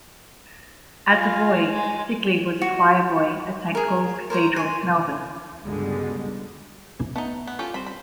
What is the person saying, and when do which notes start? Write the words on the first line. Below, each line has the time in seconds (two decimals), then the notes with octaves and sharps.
As a boy, Sigley was a choir boy at Saint Paul's Cathedral, Melbourne.
1.08 F4 G#5
1.72 G#3
2.62 F#4
3.75 G#4 A#4
4.30 A#4 C5 C#5 A#5
4.56 G#5 C6
5.64 C#2 G2 B2 D3 G3 G#3
7.16 A3 B3 D#4
7.47 B3
7.59 C#4 F4 G4 A4
7.74 G3 C4 C5 B5
7.86 B5